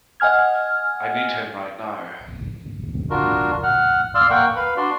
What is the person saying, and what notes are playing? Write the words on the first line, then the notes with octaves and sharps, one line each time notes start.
I need him right now.
D#5 F#5 G#5 F6 G#6
D4 F4 F#4 A#4
F#5 F6
D5 F5 C6 E6 F6
A#3 A#4 F#5 G5 C#6
B4 F5 B5
D4 F#4 D5 C6